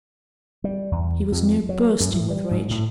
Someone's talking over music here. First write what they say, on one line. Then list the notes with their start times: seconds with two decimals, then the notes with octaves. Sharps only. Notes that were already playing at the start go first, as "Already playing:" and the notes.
He was near bursting with rage.
0.64 G3
0.92 E2
1.32 F2
1.69 F#3
2.00 F#2
2.14 A2
2.30 G3
2.51 G#2
2.71 A2